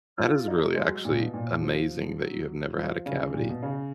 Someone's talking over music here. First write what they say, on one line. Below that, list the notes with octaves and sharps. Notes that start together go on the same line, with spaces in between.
That is really actually amazing that you have never had a cavity,
F4
F4
D#4
G#3
F#3
A#2
B2
A#2
F3
F#3
F3
C#3
A#2
B2
C#3